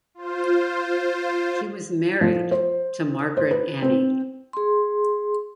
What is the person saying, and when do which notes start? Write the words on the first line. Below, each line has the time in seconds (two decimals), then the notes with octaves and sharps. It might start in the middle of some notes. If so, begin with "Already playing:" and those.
He was married, to Margaret Annie.
0.14 F4 C5
2.21 F3
2.51 C5
3.37 C5
3.51 B4
3.82 C4
4.53 G#4 C6